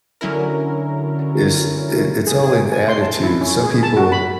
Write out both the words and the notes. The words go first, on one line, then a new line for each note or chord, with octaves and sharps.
is i it's all in attitude. Some people
D3 F#3 C#4 E4 A#4
G#4
G#4
G#5
C6
A5
E4
C#4
G#4
A5
F#4
B5